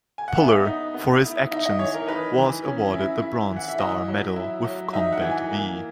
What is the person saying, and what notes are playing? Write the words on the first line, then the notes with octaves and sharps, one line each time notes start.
Puller, for his actions, was awarded the Bronze Star Medal with Combat "V".
G#5
F#5
B3 E5
D#4
B3
E4
D#4 E5
D#5
E3 C#5
A#4
D#4 B4
E3
C#4
E4
E4
E3
F#5
E5
E4 D#5
F#3
E4
F#3
D#4 E5
F#5
E3
G#5
A#3